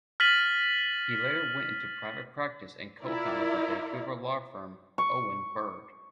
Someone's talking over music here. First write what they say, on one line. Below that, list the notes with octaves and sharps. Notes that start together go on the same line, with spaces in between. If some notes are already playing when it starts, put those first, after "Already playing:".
He later went into private practice and co-founded the Vancouver law firm Owen Bird.
F6 A6 B6 D#7 F#7
E4 F4 A#4 D5
C#6